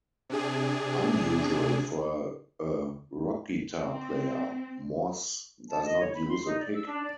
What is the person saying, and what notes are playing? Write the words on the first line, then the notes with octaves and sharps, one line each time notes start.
Unusual for a rock guitar player, Morse does not use a pick.
C3 D4 G#4
C4
A5
D#5
C#5
B5
C6
D#4
D5
E6
D4
D5